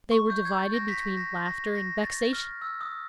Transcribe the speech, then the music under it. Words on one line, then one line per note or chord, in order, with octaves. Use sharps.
They were divided between laughter and vexation.
C#6
G6
G#6
A6
A#6
B6
A#6
A#6
A#6
A6
F6
E6
D#6